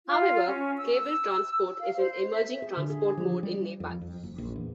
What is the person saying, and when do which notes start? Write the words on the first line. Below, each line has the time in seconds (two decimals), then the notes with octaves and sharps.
However, Cable transport is an emerging transport mode in Nepal.
0.07 F4
0.47 C#4
0.77 E6
0.98 E6
1.78 F5
1.96 C5
2.33 E5
2.62 G#4
2.77 D3
2.90 G#4
3.04 G4
3.17 F3
3.43 G3
3.80 F2
4.01 F2
4.23 F#1
4.38 A#1
4.56 E2